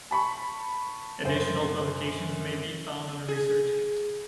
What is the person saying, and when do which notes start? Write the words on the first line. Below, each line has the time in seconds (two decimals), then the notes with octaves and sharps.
Additional publications may be found on Research Gate.
0.11 A5 B5 C#6
1.25 F#2 C5
3.28 G#4